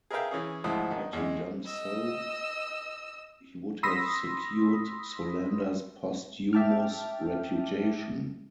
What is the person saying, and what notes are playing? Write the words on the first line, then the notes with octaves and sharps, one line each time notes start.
Had he done so, he would have secured Solander's posthumous reputation.
G#4 A#4 B4 E5 F5 G5
E3 C#4 G#4
D2 G#2 F3 E4 D#6
D#3
E2 G#3
D#5 E6
B5 C6 D#6 E6 A#6 B6
E5 G5 A5 D6 F6